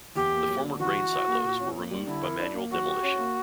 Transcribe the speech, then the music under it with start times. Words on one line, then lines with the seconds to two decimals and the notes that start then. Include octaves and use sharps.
The former grain silos were removed by manual demolition.
0.16 E2 G4
0.32 A#3
0.48 F#3
0.64 D3
0.79 E3 F#4
0.95 E3
1.11 E4
1.27 A#3
1.44 A#2
1.60 C#4
1.76 A#3
1.91 G3
2.07 D3 E4
2.24 A#4
2.40 D4
2.55 A#3
2.70 F#3 F#4
2.88 G4
3.02 C#4
3.18 A#3